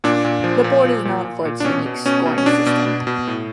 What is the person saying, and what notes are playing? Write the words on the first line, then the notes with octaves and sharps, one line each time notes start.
The Board is known for its unique scoring system.
A#2 D4
A#2
F3
A#2
F3
A#2
A#2
A#2
D4
B2 C#4
B2
B2 C#4
B2
C#4
B2 D4
B2
B2
B2
A2